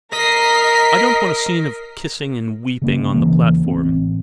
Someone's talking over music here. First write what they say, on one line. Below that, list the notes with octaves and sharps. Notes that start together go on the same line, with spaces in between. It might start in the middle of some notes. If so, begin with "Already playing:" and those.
I don't want a scene of kissing and weeping on the platform.
A#4 D#5 A#5 B6 C7
C#3 A#3 C#4
E1 C#3 E3 A#3
A1 C4